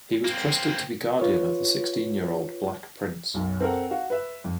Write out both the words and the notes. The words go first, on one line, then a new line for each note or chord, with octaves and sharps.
He was trusted to be guardian of the sixteen-year-old Black Prince.
A#3 C4
F4 B4 C#5
B1 F#2
C4 A4 A#4 F#5
F#4 F5
B4 E5
F2